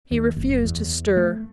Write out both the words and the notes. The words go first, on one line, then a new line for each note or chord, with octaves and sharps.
He refused to stir.
D#2
F#1
E2
A3